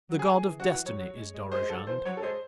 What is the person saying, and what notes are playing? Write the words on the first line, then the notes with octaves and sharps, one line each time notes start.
The god of Destiny is Dorozhand.
F#3
G#4
F#3
E3
F#3 F#4
E3
F#3 C#5
F#3
G#3
G#3
G#3 C5
G#3
F#3 A4
E3 C5
F#3 C#5
A4
G#3 C5